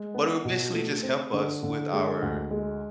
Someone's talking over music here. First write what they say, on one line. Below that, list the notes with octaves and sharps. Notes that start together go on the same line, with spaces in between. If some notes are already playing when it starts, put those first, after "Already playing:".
But it would basically just help us with our
Already playing: G#3
B3
B2
A3
C4
D3
D3
G#3
D2
G#3